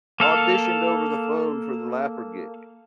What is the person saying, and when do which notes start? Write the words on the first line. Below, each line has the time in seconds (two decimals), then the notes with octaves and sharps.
au auditioned over the phone for the laugher gig,
0.20 A#3 A4 F5